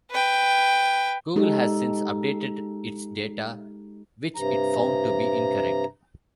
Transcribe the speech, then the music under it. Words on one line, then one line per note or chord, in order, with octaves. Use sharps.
Google has since updated its data which it found to be incorrect.
B4 G5
G#3 D#4 G4 A4
G2 C3 A#5